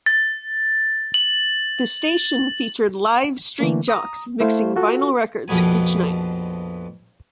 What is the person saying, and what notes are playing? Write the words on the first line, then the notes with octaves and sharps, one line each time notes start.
The station featured live street jocks mixing vinyl records each night.
A6
F#7
D3 E3 A3 A#3
A#5 D#6
A3 E4 C5 F5
F4 F#4 A4
A#1 F2 B2 B3 G#5